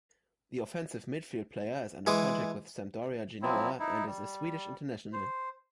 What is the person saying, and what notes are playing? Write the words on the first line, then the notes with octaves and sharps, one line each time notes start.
The offensive midfield player is under contract with Sampdoria Genoa and is a Swedish international.
E3 G#3 D6 D#6
F3 F#3 C4 E4
D#4 E4
G3
C5